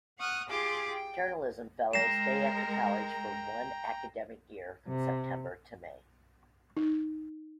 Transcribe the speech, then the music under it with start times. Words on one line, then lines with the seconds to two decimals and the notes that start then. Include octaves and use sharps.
Journalism Fellows stay at the college for one academic year from September to May.
0.18 F#5 C#6 D#6 F6 F#6
0.48 F4 G4 G#4 G#5 C6 D6
0.90 G5
1.93 G#3 A#4 G5 A#5 A#6 C7 E7
4.87 C3
6.77 D#4